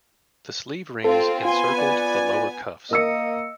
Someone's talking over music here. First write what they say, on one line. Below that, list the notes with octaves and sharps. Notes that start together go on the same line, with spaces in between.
The sleeve rings encircled the lower cuffs.
C4 F4 A4
B3 F4 G#5 C6
D5
A#3 A#4 D#5 E6 C#7